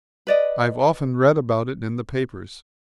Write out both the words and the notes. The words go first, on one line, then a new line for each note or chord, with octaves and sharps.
I've often read about it in the papers.
B4 D5 D#5